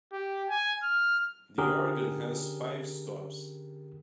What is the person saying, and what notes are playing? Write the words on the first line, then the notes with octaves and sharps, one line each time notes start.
The organ has five stops.
G4
G#5
F6
D3 C#4 G4 G#4 A#4